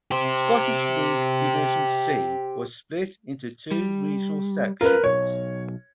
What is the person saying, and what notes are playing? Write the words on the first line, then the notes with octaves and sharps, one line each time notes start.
Scottish League Division "C" was split into two regional sections.
G4 C5
G3
C#4 F4 A#4 B4
B1 C#5